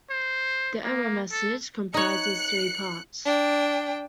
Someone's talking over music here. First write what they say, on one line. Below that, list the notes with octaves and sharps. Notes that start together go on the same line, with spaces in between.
The error message comprises three parts.
C5
A#3
A4
D#4 C#5 F#6 C#7
D4 G5